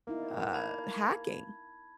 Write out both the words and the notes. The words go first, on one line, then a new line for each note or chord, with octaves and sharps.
uh, hacking
A#3 B3 D#4 E4
A5 B5 G#6